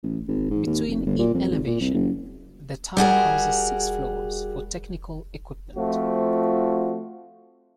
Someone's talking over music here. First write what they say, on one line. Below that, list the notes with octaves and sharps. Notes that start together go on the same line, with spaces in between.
Between in elevation, the tower houses six floors for technical equipment.
A1
G#1
G#2
D#2
F1
G1
A#2
F2
G#1
A#2
C2
F#1
G3 F#4 G#4 A#4
F3 A3 C4 F4 F#4